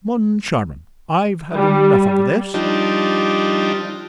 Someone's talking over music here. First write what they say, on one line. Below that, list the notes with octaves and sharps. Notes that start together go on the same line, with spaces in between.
"Moncharmin, I've had enough of this!"
G3
F3 G3 D4 D#4